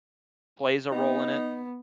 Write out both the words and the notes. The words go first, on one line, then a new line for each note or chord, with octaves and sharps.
plays a role in it.
B3 D#4